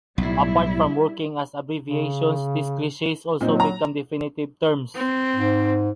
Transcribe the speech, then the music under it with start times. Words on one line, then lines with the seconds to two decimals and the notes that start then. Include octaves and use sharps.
Apart from working as abbreviations, these cliches also become definitive terms.
0.18 B1 A2 G3 E4
1.86 C#3
3.41 A#2 F#3 C4 D#4
3.60 A#5
4.95 C4
5.36 G#2